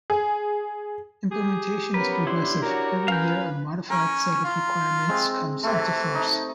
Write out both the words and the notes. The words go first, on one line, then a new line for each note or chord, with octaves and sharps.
Implementation is progressive, every year a modified set of requirements comes into force.
G#4
G4 G#4
F3 B3 C#4 A#4 B4
D4 E4 C6
F#4 A#4 C#5
C#4 B4 F5 G6
C#4 A#4
F4
G#3 C4
C3 E3 A3
D#4